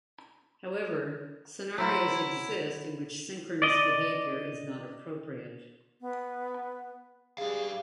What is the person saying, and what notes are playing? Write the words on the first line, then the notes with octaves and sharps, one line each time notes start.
However, scenarios exist in which synchronous behaviour is not appropriate.
F#3 E4 C5
D5 D#5
B3
G3 G#4 F5